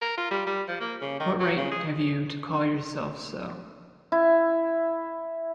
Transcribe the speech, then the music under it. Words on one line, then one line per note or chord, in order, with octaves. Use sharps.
What right have you to call yourself so?
A#4
F4
G3
G3
F3
A#3
C#3
D#3
F#3
C#3
G#4
E4